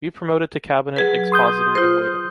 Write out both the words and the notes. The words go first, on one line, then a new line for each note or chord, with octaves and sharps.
Be promoted to cabinet expositor-in-waiting.
F#3 G#4 B4
C6 D#6 G6
F4 C5